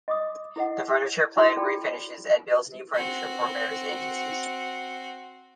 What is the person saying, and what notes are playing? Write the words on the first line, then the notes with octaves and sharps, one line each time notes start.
The furniture plant refinishes and builds new furniture for various agencies.
D#5 D6 D#6
E4 A4 D#5 F#5
E4 F#4 G#4 A5
F4 A4 D5 G5 B5
C4 F#4